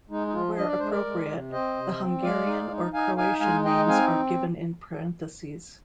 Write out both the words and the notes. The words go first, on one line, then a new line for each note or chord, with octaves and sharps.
Where appropriate, the Hungarian or Croatian names are given in parentheses.
G#3 D#4
D#4
F3 F4
D4 D#5
D5
G#3 C5
A#4 D5
G#3
C3
C4 C5 D#5
C3
C4
G#3 D5 F5
D#4
D#4
D#4 F5 G#5
D#4 F5 G#5
G#3 F5 G#5
D#4 D#5 G5
C4 F5 G#5